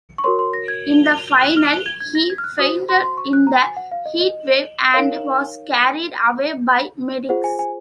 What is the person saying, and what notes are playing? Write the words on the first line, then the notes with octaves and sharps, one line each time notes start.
In the final, he fainted in the heatwave and was carried away by medics.
C#6
F#4 A#4 C#5 C6
C6
A#6
G#6
F#6
F6
F#6
G#6
G#6
A#6
G#6
F6
F#6
F#4 C5 D#6
C6
C6
C#6
F#6
A#5
G#5
F#5
F5
D#5
D#5
D#4 A#4 C#5 F5
F4 G#4 C5 F#5
G#5
G#5